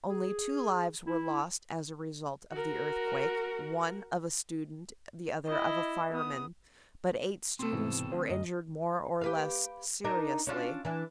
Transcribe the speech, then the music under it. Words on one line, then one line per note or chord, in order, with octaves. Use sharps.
Only two lives were lost as a result of the earthquake, one of a student, the other of a fireman, but eight students were injured more or less seriously.
G#4
E4
F#4 A#4
E4 D#5
B3 D#6
B2 C4 A4 C6
G#2 C3 E3
D2 C5
F#2 D#5
G4 B4 F5
D4 D#4 A#4
C#4 D4 F4
E3 D4